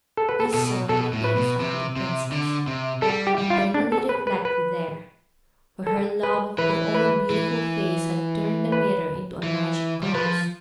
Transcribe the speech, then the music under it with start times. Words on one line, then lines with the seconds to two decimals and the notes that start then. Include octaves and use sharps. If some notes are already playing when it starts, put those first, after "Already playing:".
He saw the face of the princess--eternally reflected there; for her love of her own beautiful face had turned the mirror into a magic glass.
0.17 A4
0.29 B4
0.40 A4
0.54 B2 A4
0.89 B2 A4
1.13 A2
1.24 B4
1.37 B2
1.60 C3
1.97 C3
2.32 D3
2.67 C3
3.02 G3 A4
3.27 G4
3.38 G3
3.50 F4
3.74 D4
3.92 A4
4.09 B4
4.27 B4
4.45 B4
5.87 A4
6.23 B4
6.58 E3 B4
6.95 B4
7.30 E3
8.72 B4
9.43 E3
10.03 G3
10.14 F3 B4